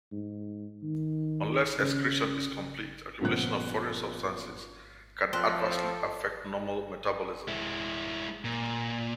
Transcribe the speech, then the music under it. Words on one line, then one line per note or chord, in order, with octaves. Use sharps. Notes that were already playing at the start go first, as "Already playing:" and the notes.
Unless excretion is complete, accumulation of foreign substances can adversely affect normal metabolism.
G#2
D#3
C#3
G2 A#2 C#3 F3 B3 F#6
F3 C4 A4 C6 F6 F#6
G#3 E4
A#2